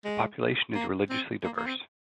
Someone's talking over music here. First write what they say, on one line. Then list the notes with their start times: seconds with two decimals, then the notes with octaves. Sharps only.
The population is religiously diverse.
0.05 G#3
0.75 A#3
1.10 C4
1.44 A#3
1.56 A#3
1.66 C4